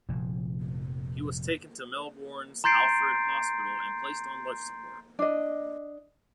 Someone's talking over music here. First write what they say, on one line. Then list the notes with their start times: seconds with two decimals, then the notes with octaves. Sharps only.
He was taken to Melbourne's Alfred Hospital and placed on life support.
0.09 F1 A#2 F3
2.64 A#5 C6 G6 A6 C7 D7
5.19 D4 D#5